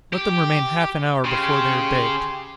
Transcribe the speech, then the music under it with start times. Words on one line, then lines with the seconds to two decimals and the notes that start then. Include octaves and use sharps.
Let them remain half an hour before they are baked.
0.13 G4
1.25 C#3 G4 C6